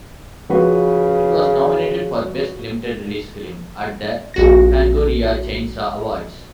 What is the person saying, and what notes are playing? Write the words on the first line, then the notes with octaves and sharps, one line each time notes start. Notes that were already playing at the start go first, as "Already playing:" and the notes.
It was nominated for Best Limited Release Film at the Fangoria Chainsaw Awards.
C#3 F3 F#4 B4
A#1 F#4 A#6